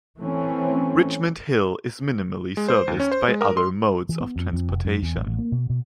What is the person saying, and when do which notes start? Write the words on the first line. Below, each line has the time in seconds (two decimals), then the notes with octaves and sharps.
Richmond Hill is minimally serviced by other modes of transportation.
0.19 E3 A3 C4 C#4
2.57 G#3
2.68 C5
2.88 D#2
3.00 C#4
3.12 C5
3.28 G#3
3.41 A#4
3.57 C6
4.09 E3
4.21 B3
4.36 F2
4.53 F2
4.69 F1
4.85 F#2
5.03 E2
5.15 A1
5.27 A1
5.38 A#3
5.52 B2
5.70 B2